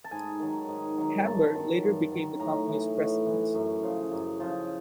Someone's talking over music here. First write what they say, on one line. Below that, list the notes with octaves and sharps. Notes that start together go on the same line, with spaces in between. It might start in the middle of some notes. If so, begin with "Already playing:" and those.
Hamber later became the company's President.
A5
G#2 G#5
D#3 F#3
G#2
D#3 F#3
G2 A5
D#3 F#3
G2
D#3 F#3
A2 A#5
E3
A2
E3
F#2
C#3 F3
F#2
C#3 F3